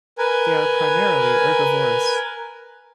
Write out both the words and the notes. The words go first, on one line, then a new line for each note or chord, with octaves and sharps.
They are primarily herbivorous.
A#4 B4 G#5